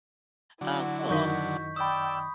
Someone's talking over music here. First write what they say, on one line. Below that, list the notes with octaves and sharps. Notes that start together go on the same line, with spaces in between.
Oh, cool.
D3 F#3 E4 F#4
F#2 D#3 D#5 C#6 G6 B6
D5 G5 B5 D#6 E6